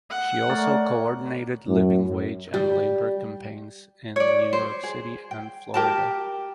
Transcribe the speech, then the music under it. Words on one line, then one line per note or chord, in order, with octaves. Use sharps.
She also coordinated living wage and labor campaigns in New York City and Florida.
F#5
A3 A#4 C#5 D5
F#2
G3
C#5 D5
C5
G#4
G5
G4 A#4 A5